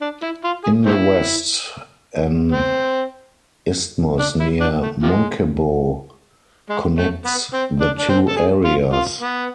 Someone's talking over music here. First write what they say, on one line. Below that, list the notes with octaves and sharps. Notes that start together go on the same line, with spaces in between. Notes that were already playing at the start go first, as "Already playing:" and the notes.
In the west, an isthmus near Munkebo connects the two areas.
D4
E4
F4
G#4
A3 C4 E4
C4
D4
E4
D4
A3
C3 F3 G#3
G#3
A3
B3
C4
D4
D4
C4
A4
G#4
F4
F4
B3